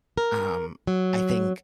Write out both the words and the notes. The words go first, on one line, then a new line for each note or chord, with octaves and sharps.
um, I think
A#4
F#3